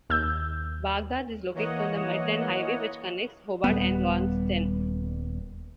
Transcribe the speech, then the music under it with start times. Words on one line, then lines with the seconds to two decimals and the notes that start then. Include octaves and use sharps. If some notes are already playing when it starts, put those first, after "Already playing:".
Bagdad is located on the Midland Highway, which connects Hobart and Launceston.
0.10 D#2 E6 G6
1.54 E3 A#3 C#5 D#5 F#5
3.64 D#1 G3 B3